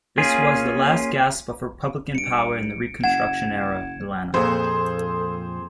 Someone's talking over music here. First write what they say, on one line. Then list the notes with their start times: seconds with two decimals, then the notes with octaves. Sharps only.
This was the last-gasp of Republican power in Reconstruction-era Atlanta.
0.18 A#3 C#4 F4 G#4
2.15 G2 C#7 D7
3.04 F#1 F#5 G#6 E7
4.34 F2 A#2 G#4 A4 C5